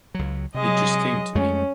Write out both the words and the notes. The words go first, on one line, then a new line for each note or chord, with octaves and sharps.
It just came to me.
C#2 F#3
C3 F#3 G#3 D#5
F2 G#3 A3 C#4